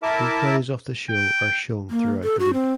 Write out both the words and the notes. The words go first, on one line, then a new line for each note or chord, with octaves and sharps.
Replays of the show are shown throughout the week.
E4 A#4 E5 A5 D6
G5
A#3
A4
F#4
C4